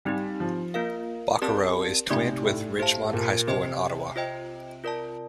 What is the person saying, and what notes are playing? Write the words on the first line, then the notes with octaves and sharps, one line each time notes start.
Bokoro is twinned with Ridgemont High School in Ottawa.
G3 C4 D#4 G4
F3
A#3 F4 A#4 F5
C4 G4 A#4 D5 A5
C3 A3 D#4 G4 D5
A2
A2 G4 C5 F5 A5
A2
A#2
C3 G4 C5 D#5 G5
F4 C5 D#5 G5
F4 A#4 D5 A5